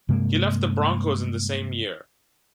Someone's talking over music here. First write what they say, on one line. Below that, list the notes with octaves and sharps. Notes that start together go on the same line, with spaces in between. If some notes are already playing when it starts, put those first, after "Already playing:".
He left the Broncos in the same year.
G2 C3 G#3 A#3